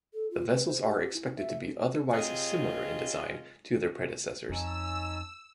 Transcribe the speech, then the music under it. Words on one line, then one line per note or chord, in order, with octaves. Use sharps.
The vessels are expected to be otherwise similar in design to their predecessors.
A4
F4
B4
C5
G4
E4
E5
C3 C4 F4 G#4 C#5 D#5
F2 C#4 D#4 A5 E6